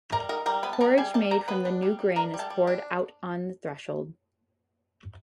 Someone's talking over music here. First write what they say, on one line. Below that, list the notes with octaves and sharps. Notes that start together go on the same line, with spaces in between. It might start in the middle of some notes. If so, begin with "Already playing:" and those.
Porridge made from the new grain is poured out on the threshold.
G3 A#4 A#5
D#4 A#4 A#5
G3 A#4 A#5
B3 B4 B5
A5
G3 A#4 A#5
G3 G#4 G#5
G3 A4 A5
G3 A#4 A#5
B3 B4 B5
D4
G3
G3
D4 A#4 A#5
G3
A4 A5
G3
D4